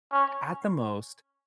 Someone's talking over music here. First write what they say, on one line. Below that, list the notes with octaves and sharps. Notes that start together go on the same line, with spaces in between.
at the most,
C#4